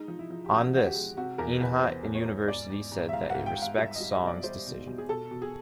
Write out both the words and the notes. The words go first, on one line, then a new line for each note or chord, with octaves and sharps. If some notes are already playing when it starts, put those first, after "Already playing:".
On this, Inha University said, that it respects Song's decisions.
Already playing: G#3 D#4
F3
E4
F3
G4
C#3 F#4
F3 F#4
G4
G#3
C3 F#4
E2 A#4
E2 B4
E2 C5
E2
C#5
E2
G#2 D5
G#2
G#2
E5
G#2 F5
G#2 F#5
G5
G#2
F5
G3 E5
D#5
G3
D#5
B2
D5
G3 C5
B2
B2
G#4
B2 A4
B2
G#4